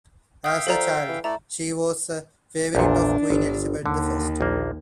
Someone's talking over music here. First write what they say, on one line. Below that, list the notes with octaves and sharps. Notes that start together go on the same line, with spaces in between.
As a child she was a favourite of Queen Elizabeth the First.
E5 F5 G5 D#6 F6
F3 A4 D5 A#5
E3
A3 E4 A4 D5 E5 A#5
A#1 E2 A#2 D4
G1
D#2 D3
A#1 A#3